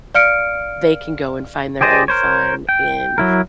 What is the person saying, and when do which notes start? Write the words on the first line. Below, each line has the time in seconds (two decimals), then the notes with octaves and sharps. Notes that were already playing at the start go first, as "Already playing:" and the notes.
they can go and find their own fun and
0.14 D5 F5 F6 C#7 D7
1.81 G4 G#4 C5 D5 D#5
2.08 A#4 C5 C#5
2.69 G5
3.18 F#3 E4 A#4